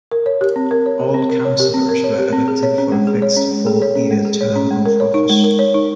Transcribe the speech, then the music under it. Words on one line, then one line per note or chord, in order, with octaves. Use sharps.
All Councillors were elected for a fixed four-year term of office.
A#4
C#5
G4
C4
A#4
C#5
G4
C4
A#4
C#5
G4
C4
A#4
C#5
G4
C4
G#4
C#5
C#4
G#3
G#4
C#5
C#4
G#3
G#4
C#5
C#4
G#3
G#4
C#5
C#4
G#3
A#4
C#5
D#4
G#3
A#4
C#5
D#4